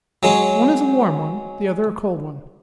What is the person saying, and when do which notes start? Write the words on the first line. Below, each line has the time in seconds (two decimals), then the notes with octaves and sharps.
"One is a warm one, the other a cold one!"
0.23 F#3 G#3 C#4